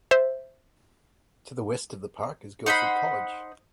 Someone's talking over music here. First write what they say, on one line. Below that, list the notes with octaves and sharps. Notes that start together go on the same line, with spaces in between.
To the west of the park is Guildford College.
C5 E5
D#4 C5 F#5 B5